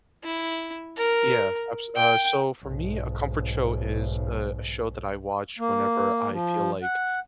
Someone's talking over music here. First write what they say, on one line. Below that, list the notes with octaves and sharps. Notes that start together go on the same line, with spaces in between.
Yeah, abso uh, so, for me, a comfort show is, uh, a show that I watch whenever I feel like,
E4
A#4
G5
B1 G#2
A#3
F3
F#5